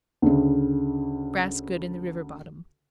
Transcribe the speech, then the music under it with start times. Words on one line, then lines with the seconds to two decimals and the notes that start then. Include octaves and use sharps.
Grass good in the river bottom.
0.22 D2 C#3